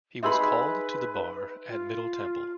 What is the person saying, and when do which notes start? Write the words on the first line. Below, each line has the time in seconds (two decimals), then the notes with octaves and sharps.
He was called to the Bar at Middle Temple.
0.23 D#4 G#4 B4 E5 B5 C6 E6
1.69 F4